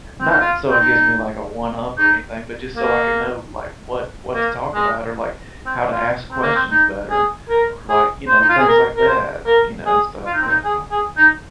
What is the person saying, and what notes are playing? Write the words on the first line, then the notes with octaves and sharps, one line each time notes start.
not so it gives me, like, a one up or anything, but just so I could know, like, what what to talk about or, like, how to ask questions better or, like, you know, things like that, you know? So yeah.
C4
D#4
F4
C4
D#4
D#4
A#3
A#3
G#3
C4
F4
C4
A#3
C4
D#4
G#4
A#4
G#4
C5
D#4
F4
G#4
A#4
A#4
C5
A#4
G#4
F4
D#4
C4
D#4
G#4
G#4
D#4